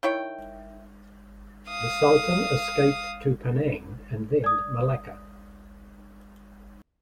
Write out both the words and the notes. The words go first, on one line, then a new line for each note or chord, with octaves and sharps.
The Sultan escaped to Penang and then Malacca.
D#3 E4 C#5 G5
F5 D#6
D5 D#6